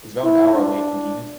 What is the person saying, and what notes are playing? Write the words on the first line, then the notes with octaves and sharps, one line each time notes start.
It's about an hour away from Enid.
E4
D4